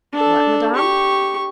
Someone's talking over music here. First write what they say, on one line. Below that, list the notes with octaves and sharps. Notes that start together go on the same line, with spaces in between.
"What, madame?"
D4 A4
G4 C#6